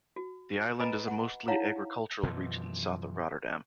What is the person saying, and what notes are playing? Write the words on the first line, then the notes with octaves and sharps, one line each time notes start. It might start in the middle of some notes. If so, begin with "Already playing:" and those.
The island is a mostly agricultural region, south of Rotterdam.
F#4
B4 D#5 G#5 A#5 B5
F#5
D#4 E4 C#5 F5 F#5 A#5
F#2 B2 E3 F3